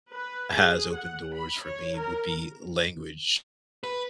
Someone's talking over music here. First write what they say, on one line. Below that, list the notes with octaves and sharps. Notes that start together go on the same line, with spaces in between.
has opened doors for me would be language.
B4
G#4
F#5
B5
C#5
A#4
B4